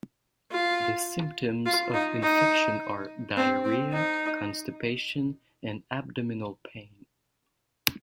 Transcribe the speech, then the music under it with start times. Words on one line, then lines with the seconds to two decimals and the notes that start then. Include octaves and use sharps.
The symptoms of infection are diarrhea, constipation, and abdominal pain.
0.52 F4
1.66 F4
1.94 D#4
2.23 D#4
3.37 C4
3.65 C4
3.93 D#4